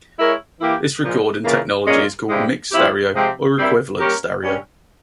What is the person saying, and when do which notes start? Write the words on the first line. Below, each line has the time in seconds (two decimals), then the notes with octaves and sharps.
This recording technology is called mixed stereo or equivalence stereo.
0.17 G#3 E4 A#4 C#5
0.59 E3 A#3 E4 G4
1.02 A#2 F3 G#3
1.44 C#3 E3 A#3 F4 A#4
1.86 A#2 G#3 C#4 F4
2.29 G2 F3 G#3 E4 G4
2.71 A#2 F3 C4 E4 G4
3.13 C3 F3 G#3 C4 G4
3.56 G2 G3 C4 E4 A#4
3.99 G3 A#3 C#4 G4 A#4
4.41 G2 G3 C#4